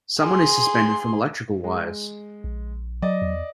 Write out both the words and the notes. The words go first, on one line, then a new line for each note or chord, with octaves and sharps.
Someone is suspended from electrical wires.
G#4 C6
G#3
A#1
F#3 D5 D#5
E2